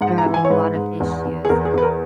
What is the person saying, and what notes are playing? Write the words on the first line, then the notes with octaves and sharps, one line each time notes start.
they're having a lot of issues. And
G#2 F#5
A#5
E3
G#5
C#5
G#2 B4
G#2
E2
E2
G#4
E2 A#4
G#4
E2 B4
A#4